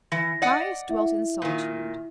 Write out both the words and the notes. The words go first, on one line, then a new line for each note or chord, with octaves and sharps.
Marius dwelt in solitude.
E3 A#6
D5 D#5 F#5
E4 E5
A#2 D#3